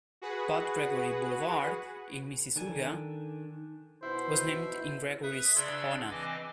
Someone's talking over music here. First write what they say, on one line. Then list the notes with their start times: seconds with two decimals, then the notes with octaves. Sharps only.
Bud Gregory Boulevard, in Mississauga, was named in Gregory's honour.
0.22 F#4 G#4 B4 F#5
2.56 D#3 D4 A4 G#5
4.03 B2 E4 C5
5.23 B4 E5 D#6
5.55 C#3 D4 D5 C6 E6 G#6
6.11 E3 C4 D#5 G#5 D6